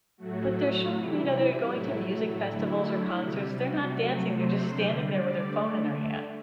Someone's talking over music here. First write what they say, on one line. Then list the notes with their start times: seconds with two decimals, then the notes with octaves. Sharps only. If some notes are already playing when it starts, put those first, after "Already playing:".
But, they're showing me that they're going to music festivals or concerts, they're not dancing, they're just standing there with their phone in their hand.
0.18 A2 F#3 A3 F#4
0.92 C3 E3 G3 E4
1.67 A2 F#3 A3
2.42 D3 F#3 A3 E4
3.18 C3 G3
3.55 F#4
3.92 C3 F#3 A3
4.30 C5
4.67 D3 G3
5.05 D5
5.42 D3 A3